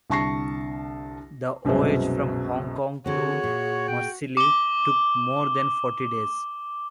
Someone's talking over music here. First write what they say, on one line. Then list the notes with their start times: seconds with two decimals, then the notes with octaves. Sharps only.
The voyage from Hong Kong to Marseille took more than forty days.
0.10 C2 D3 A5 C#6 A#6 C7
1.65 C2 F#2 B2 F#3 G#3 C5
3.06 D3 C4 F#4 G#4 C#5
3.43 A#2
3.88 G5
4.37 D6 G7